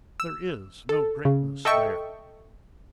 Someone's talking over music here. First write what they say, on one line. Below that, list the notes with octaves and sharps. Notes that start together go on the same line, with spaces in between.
There is no greatness there.
E6
A4
C#3
A4 D#5 E5 G5 C#6